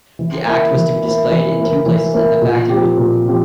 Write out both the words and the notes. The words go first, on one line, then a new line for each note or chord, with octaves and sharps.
The Act was to be displayed in two places in the factory.
E3
A#3 E4
E3
A#3 E4
E3
A#3 E4
E3
A#3 E4
A#2
F3 C4 G4
A#2
F3 C4 G4